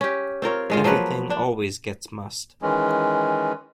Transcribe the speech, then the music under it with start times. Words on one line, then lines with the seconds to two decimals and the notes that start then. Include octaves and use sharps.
Everything always gets mussed.
0.01 C#4 G4
0.42 C4 F4 A#4 C#5
0.70 G#2 G#3 F4
0.84 F3 F#3 A#3 B4
1.30 D4
2.62 D#3 E3 G#3 C#4